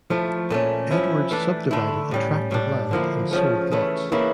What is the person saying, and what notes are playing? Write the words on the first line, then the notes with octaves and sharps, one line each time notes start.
Edwards subdivided a tract of land and sold lots.
F3 A3 E4
A#2 A3 C#4
F3 C#4 E4
E3 A3 D4
D3 A3 E4
A2 G3 C#4
A2 G3 D4
D3 F3 A#3 E4
C#3 F3 A3
C#3 E3 A3
C#3 E3 A#3 E4